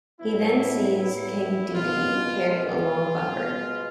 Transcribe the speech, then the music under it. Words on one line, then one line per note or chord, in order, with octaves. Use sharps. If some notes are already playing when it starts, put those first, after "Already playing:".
He then sees King Dedede, carrying a long bumper.
A2 F#3 B3 E4
E4
B2 G#3 B3 F4
F4
B2 G#3 B3